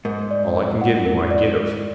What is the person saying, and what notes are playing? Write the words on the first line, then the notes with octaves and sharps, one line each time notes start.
All I can give you I give.
G#2 A#4
D5
A#4
F#5
A#4
D5
A#4